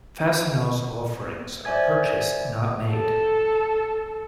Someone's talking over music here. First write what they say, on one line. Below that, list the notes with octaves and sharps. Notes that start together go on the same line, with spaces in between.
Fastenal's offerings are purchased, not made.
C5 D5 E5 G#5 G#6
A4